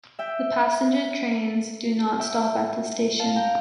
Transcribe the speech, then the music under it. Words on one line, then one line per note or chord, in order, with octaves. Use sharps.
The passenger trains do not stop at this station.
E5 G5
E5 G5
F5 A5
G5 A#5